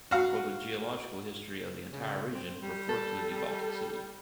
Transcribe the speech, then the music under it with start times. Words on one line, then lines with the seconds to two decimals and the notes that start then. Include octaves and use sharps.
For the geological history of the entire region, refer to the Baltic Sea.
0.11 F#4 F5
1.93 C#3
2.35 C4
2.62 G3
2.89 A4